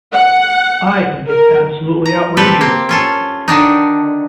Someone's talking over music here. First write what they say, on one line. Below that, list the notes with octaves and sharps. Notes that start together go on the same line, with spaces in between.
I think it's absolutely outrageous.
F#5
A#4
A#5
C4 G4 A4 B4
A#3 C4
C#4 F4 A4
D3 D#3 D4 D#4